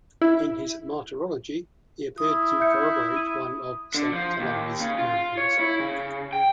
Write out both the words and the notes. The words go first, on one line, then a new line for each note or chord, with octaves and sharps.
In his martyrology, he appeared to corroborate one of Saint Columba's miracles.
E4
E4 D#6
E5 G6 C#7
D#7
D3
F3
D#2
C#3
F4
C#5
E4
C#3
G5